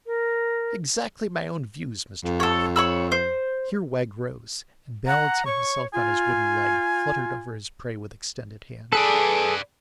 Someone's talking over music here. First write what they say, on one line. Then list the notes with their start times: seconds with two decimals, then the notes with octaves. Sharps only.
Exactly my own views, Mr Boffin.' Here Wegg rose, and balancing himself on his wooden leg, fluttered over his prey with extended hand.
0.06 A#4
2.25 F2
2.40 A4 C#5
2.76 C#5 B5 E6
3.12 C5
5.06 F#5 A#5
5.46 C#5 C#6
5.94 F4 G#5
8.93 G#4 A4 B4 D5